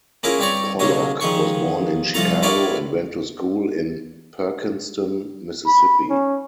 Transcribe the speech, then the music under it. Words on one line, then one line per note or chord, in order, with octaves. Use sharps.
Pollock was born in Chicago and went to school in Perkinston, Mississippi.
A#3 C#4 E4 F4 G#4 A#4
G2 C4 C#5 D5 A#5 C#6
B1 C#3 F#3 A#3 C#5 D#5
A#2 D#3 F3 G#4 C#6
C2 F3 F4 A4 A#5
E4 F4 A4 A#4 C#5 D5
B5
C#4